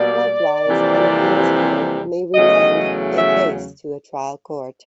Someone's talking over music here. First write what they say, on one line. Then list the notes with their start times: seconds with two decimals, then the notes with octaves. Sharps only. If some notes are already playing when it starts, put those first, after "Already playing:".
Likewise, an appeals court may remand a case to a trial court.
Already playing: B2 G3 A#3 D5
0.69 F2 C3 E3 G3 A#3
2.34 E2 C#3 F#3 A3 D#5
3.18 E5